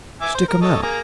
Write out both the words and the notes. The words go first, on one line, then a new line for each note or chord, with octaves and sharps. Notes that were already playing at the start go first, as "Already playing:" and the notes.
Stick 'em out.
E5 G#5 D6
C5
A#4
A4 C#5 D#5
A#3 G#4 A#5